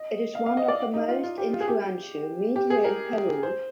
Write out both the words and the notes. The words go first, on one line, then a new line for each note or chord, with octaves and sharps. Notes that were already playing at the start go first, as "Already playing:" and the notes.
It is one of the most influential media in Peru.
Already playing: D#5
F5
F5
D#5
D5
D#4
F4
F4
G4
F4
G#4
G4
G4
G#4
A#4
C5